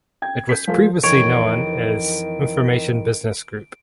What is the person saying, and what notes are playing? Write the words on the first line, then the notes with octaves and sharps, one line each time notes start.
It was previously known as Information Business Group.
G5 G#6
G6 B6
F3 A3 F4 G#4 A#4 C5
F2 D#3 E3 C#5 D7